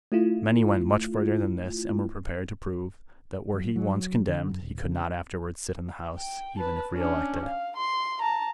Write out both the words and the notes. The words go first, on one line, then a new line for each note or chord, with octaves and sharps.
Many went much further than this, and were prepared to prove that were he once condemned he could not afterwards sit in the House, even if re-elected.
A3 E4 F4
F#3
F#3
D3
F#2
D#1
C#3
G5
B4 A5
C#4 D4
F5
C6
A5 A#5